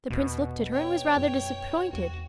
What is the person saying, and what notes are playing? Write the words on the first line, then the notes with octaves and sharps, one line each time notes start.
The prince looked at her and was rather disappointed.
E2 B2
C#5 G5
F#2
E2 F#4